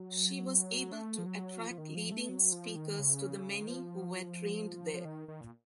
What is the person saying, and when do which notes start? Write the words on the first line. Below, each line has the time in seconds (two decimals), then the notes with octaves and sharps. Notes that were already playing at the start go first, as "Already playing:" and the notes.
She was able to attract leading speakers to the many who were trained there.
Already playing: F#3
0.92 A3
1.18 F3
1.26 F#3
1.60 F3
1.71 F3
1.78 D#3
1.95 F3
2.12 A3
2.29 F#3
2.52 F3
2.76 D#3
2.99 C#3
3.62 D#3
3.67 F3
4.94 F3
5.05 D#3
5.28 D#3
5.41 A#2